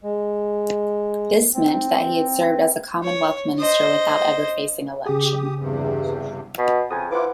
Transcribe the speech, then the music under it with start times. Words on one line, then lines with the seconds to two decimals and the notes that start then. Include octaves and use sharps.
This meant that he had served as a Commonwealth Minister without ever facing election.
0.03 G#3
1.54 C4
3.03 C#5
3.59 C5 D#5
5.06 C#3 G4 G#4 D#6
5.59 E2 G2 C3
6.58 B2
6.91 F2 C#3 G#5 D#6
7.11 F3 E4 F4 B4 F#5 D6